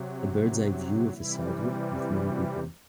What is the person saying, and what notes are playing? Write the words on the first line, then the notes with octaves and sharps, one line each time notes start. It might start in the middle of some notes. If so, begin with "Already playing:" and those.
A birdseye view of a sidewalk with many people.
Already playing: C3 F#3
E4
E4
C3 E3 G3 E4
E4
F#4